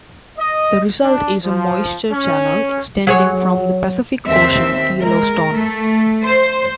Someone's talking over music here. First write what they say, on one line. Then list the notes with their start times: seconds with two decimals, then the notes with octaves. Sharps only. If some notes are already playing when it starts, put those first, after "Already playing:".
The result is a moisture channel extending from the Pacific Ocean to Yellowstone.
0.38 D#5
1.03 D4
1.45 F3
2.11 C#4
3.07 F#3 G#4 C#5
4.27 D#2 C4 E5
5.00 G#3 A#4
5.52 A3
6.25 C5